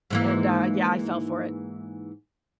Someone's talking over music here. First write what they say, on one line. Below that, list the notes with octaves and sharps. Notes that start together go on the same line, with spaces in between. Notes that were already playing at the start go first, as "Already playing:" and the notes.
and, uh, yeah, I fell for it,
G#2 E3 A#3